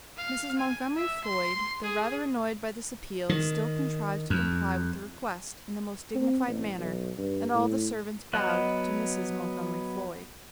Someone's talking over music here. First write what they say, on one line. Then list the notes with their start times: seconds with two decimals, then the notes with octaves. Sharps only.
Mrs. Montgomery Floyd, though rather annoyed by this appeal, still contrived to comply with the request in the most dignified manner; and all the servants bowed to Mrs. Montgomery Floyd.
0.17 F5
0.58 G#5
0.95 E5
1.24 C6
1.83 G#4
3.29 D#3
4.30 F2
6.15 C4
6.47 A1
6.78 B1
7.18 G2
7.53 A2
8.33 F#3 B3 D#5 F#6